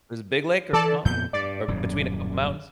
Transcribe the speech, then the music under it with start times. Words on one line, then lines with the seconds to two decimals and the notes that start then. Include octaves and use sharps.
Is it big lake or small, or b between a couple of mountains?
0.73 E3 A4 D5 A5
1.05 F2 A#2 B3 G6
1.33 G2 D5
1.68 D#1 F#2 A2